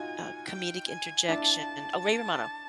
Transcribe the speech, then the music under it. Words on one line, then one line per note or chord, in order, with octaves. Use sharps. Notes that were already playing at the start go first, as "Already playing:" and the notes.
uh, comedic interjection. Oh, Ray Romano,
Already playing: D#4 F4 F#4 G#5
G5
G#5
D4 E4 A5